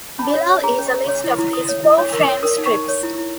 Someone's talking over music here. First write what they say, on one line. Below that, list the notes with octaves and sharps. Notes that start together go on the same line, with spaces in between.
Below is a list of these four frame strips.
C#4 B5
C#5
C#5
G#4 A#5
C#4
C#4
C#5
E4
E4
E4 D#6
C#5
E4
C#5
A#4
C#5
A#4 D#6
D#4
C#6
D#4
C#5
E4
E4